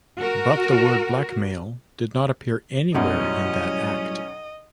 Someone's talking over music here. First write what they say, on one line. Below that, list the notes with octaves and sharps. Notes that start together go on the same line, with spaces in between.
But the word blackmail did not appear anywhere in that Act.
F#4 A#4
B1 F#2 A2 F#3 G3 C#4 D#5